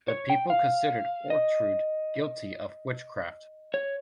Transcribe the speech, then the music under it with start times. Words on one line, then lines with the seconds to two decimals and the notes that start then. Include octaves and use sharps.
The people consider Ortrud guilty of witchcraft.
0.08 C#5
0.30 G5
0.50 F5
1.30 D#5
3.74 C#5